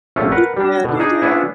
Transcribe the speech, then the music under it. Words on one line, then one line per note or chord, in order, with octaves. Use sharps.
You did, you did.
A#1 F#2 C3 A3 C#4 F4
A#4 B4 F#5
G3 D4
B2 D3
D4 D#4 G#4
B3 C#4 D4 E4 G#4